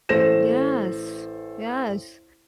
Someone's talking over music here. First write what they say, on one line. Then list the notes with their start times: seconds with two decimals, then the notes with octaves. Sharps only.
Yes. Yes.
0.09 A1 A4 C5 A#6 E7